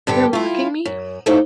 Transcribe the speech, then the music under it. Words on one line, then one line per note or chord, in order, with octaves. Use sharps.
You’re mocking me?
G2 D3 G4 A4
E4 F4
F#2
F3 F#3 A3 C4 D#4 E4